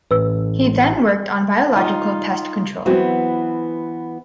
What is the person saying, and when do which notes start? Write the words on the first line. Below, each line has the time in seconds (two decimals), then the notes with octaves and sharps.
He then worked on biological pest control.
0.11 A1 B4 E6
1.76 D#4 F4
2.86 E3 F#3 B3 C4 F#4